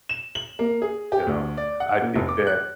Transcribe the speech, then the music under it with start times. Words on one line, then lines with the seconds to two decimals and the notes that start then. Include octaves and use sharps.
you know? I think that,
0.09 E7
0.35 F#7
0.59 A#3
0.82 G#4
1.12 G4
1.27 D2
1.57 D5
1.80 F#5
2.02 A#2
2.15 F1
2.29 D6
2.47 F#6